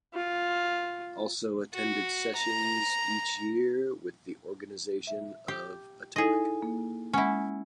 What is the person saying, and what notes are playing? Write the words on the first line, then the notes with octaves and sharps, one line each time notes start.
Also attended sessions each year with the organization of Atomic.
F4
F#4
A#5
E5
G4
D#4 E4 G#4 A4 D#5
A#3
G#3 C#4 E4 F#5